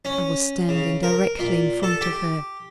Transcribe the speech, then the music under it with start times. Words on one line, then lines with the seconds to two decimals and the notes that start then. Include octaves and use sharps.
I was standing directly in front of her.
0.05 C#4
0.69 C#3
1.03 A#4
1.39 A#2
1.83 A4
2.01 G4